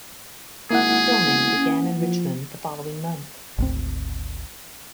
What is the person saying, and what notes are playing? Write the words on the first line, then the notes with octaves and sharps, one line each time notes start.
Filming began in Richmond the following month.
G#1 A#3 E4 G#4 F#5
E1
C#4
F3
G#1 D2 C4